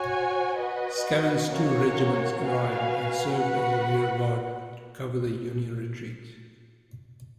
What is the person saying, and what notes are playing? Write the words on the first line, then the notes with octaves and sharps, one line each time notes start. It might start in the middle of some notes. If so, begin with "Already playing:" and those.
Scammon's two regiments arrived and served as a rear-guard to cover the Union retreat.
Already playing: F#4 C#5 G#5
F#4 B4 D#5
A#3 C#4 F#4 C#5
F#4 B4 F5 G#5
F#4 B4 F#5